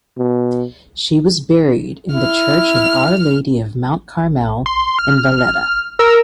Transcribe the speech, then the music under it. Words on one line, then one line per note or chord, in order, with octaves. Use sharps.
She was buried in the church of Our Lady of Mount Carmel in Valletta.
B2
E4 F6
C6
F6
A#4 E6